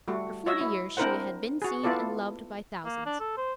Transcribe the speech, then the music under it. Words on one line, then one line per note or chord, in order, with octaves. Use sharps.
For forty years she had been seen and loved by thousands.
G3 A3 F#4
F#4 C#5 D#5 E5
E4
C4 D4 E4 A#4 C5 F#5
F#4 G#4
B3 E4 F4 A4 D5
A#3
D4
A4
C5